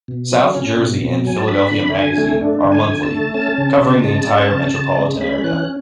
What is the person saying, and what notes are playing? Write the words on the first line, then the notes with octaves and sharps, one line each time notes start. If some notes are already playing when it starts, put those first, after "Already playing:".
"South Jersey" and "Philadelphia Magazine" are monthly, covering the entire metropolitan area.
B2
F#3
C#4
B2
B2
F#3 G#5
A5
D4 B5
D3
D3 G#5
A3
D4
D3
G#5
D3
A5
A3
C#4 A5
C#3
C#3
G#3
C#4
C#3
C#3
G#3
C#4 B5
E3 F#6